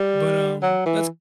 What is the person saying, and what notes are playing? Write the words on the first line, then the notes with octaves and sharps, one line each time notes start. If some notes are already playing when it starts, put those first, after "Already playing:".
But, um, that's
Already playing: G3
F#3
E3